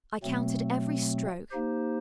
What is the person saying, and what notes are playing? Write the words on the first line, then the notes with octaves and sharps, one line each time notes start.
I counted every stroke.
B2 F#3 A3 C4
A#3 D#4 G4 C5